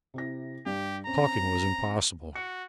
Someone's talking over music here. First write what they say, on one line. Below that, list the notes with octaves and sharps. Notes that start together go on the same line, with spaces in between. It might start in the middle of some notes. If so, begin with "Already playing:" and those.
Talking was impossible.
C3 E4 A#6
G2 G4
C4 C#4 A#5
F#4 C#7